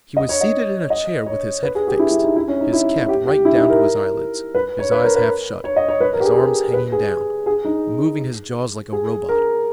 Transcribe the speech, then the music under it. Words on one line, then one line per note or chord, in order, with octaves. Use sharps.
He was seated in a chair with his head fixed, his cap right down to his eyelids, his eyes half shut, his arms hanging down, moving his jaws like a robot.
D#5
C#5
D#5
D#5
C#5
B4
G#4
G4
E4
E4
D#4
E4
C#4
D#4
E4
G4
G4
E4
D#4
A#4
B4
C#5
B4
A#4
B4
C#5
D#5
C#5
B4
A#4
G4
G#4
G#4
B4
G#4
G#4
D#4
G#4
A#4